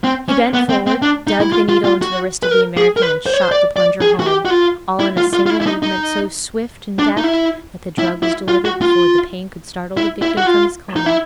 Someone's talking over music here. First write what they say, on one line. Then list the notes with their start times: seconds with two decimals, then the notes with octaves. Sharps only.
He bent forward, dug the needle into the wrist of the American and shot the plunger home, all in a single movement so swift and deft that the drug was delivered before the pain could startle the victim from his coma.
0.04 C4
0.29 C#4
0.54 B3
0.70 C4
0.87 C4
1.02 D4
1.27 D#4
1.41 E4
1.52 F4
1.69 F4
1.85 F4
2.02 F#4
2.43 B4
2.51 A#4
2.77 G#4
2.97 A#4
3.02 B4
3.26 C5
3.34 C#5
3.42 C5
3.52 D5
3.77 D5
4.01 G#4
4.20 F#4
4.26 G4
4.45 F#4
4.50 F4
5.00 E4
5.17 F4
5.33 F4
5.46 F4
5.50 E4
5.62 E4
5.66 D#4
5.83 D#4
6.99 D4
7.17 D#4
7.24 E4
7.98 E4
8.23 E4
8.48 F4
8.65 F#4
8.82 F4
9.97 E4
10.22 E4
10.37 F#4
10.47 F4
10.96 D#4
11.06 E4